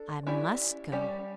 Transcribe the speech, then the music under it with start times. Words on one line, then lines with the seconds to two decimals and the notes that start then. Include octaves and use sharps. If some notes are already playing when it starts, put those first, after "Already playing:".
I must go.
Already playing: D4 A4
0.27 C#4 E4 G4 D5
0.92 G3 C#4 G4 D5